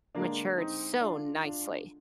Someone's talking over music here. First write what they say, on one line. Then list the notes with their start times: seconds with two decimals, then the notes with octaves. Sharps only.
matured so nicely.
0.15 D3 G#3 A#3 D4
0.58 C4 D#4
1.01 D4 F4
1.44 D4 F4